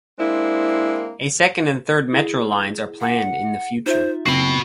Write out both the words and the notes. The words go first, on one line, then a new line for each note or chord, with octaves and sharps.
A second and third metro lines are planned in the future.
G#3 A#3 C4 D4 E4
E4 G#4
F#5
D#4 F4 C5 E5
F#1 C4 F#4 B5 C7